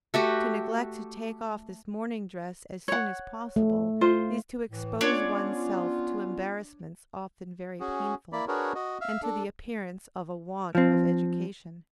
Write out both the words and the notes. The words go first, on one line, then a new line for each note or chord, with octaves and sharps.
To neglect to take off this morning dress as soon as possible, is to expose one's self to embarrassments often very painful, and to the appearance of a want of education.
A3 F#4 G4
C#5 F#5
A3
F4 C5
A2 E3
B3 C#4 D4 F4 C#5 D5
C#4 F#4 G#4
A#3 E4 D5 B5
D4 F#4 G#4 A#4 B4 C#5
F#4 D#5
E5 F5
D4 A4
F3 C4